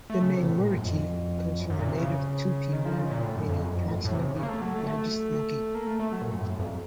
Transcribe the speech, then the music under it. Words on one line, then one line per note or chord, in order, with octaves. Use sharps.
The name "muriqui" comes from a native Tupi word meaning approximately 'largest monkey'.
A3
C#3
C3
A2
A#2
A2
F#2
F2
F#2
F#2
A#2
C3
C#3
D#3
F3
C#3
A#2
A2
F#2
F2
F#2
F2
A2
F#2
A2
C3
C#3
C#3
A#3
A3
F#3
A3
A3
A#3
A3
A3
F#3
A#2
F#2
A2
F#2
F2